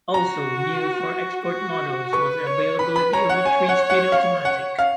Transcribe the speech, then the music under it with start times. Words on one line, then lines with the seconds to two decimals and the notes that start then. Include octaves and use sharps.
Also new for export models was the availability of a three-speed automatic.
0.14 F#4 A#5
1.47 F#4
2.13 B4 C#6
2.46 C#5
2.79 B4 B5
2.96 B5
3.13 C#5 A#5
3.30 F#5
3.45 G#5
3.69 F#5
3.90 F#5
4.12 F5
4.45 F#5
4.79 F5